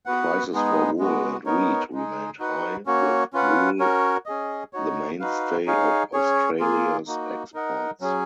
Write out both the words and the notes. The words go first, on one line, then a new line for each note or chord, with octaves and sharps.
Prices for wool and wheat remained high, with wool the mainstay of Australia's exports.
B3 F#4 B4 F#5
G#3 B3 D#4 G#4
G#3 B3 F#4
B3 D#4 A#4 C#5
G#3 D#4 G#4
D#4 F#4 B4 F#5
A#3 C#4 F#4 C#5
C#4 F4 B4 F#5
C#4 F#4 A#4 C#5
C#4 G#4 D#5
D#4 F#4 C#5
D#4 F#4 B4 F5
D#4 G#4 C#5 F5
C#4 G#4 C#5
A#3 F4 G#4
A#3 D#4 F#4
D#4 A#4 D#5 F#5
F#3 C#4 G#4